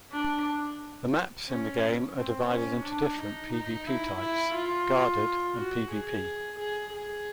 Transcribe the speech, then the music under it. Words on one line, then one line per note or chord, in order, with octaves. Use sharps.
The maps in the game are divided into different PvP-types - Guarded and PvP.
D4
C#4
C4
C#4
D4
D#4
D#4
E4
E4
F4
F#4
G#4
G#4
G#4